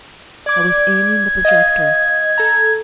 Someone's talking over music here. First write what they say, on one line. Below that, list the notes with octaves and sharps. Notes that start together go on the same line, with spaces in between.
I was aiming the projector.
D5 D6 G#6
D#5 F5
A4 A#5